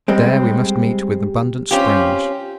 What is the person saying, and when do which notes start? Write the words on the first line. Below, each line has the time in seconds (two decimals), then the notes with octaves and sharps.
There we must meet with abundant springs.
0.08 G3 G#3 C4
1.71 C4 C#4 F4 G4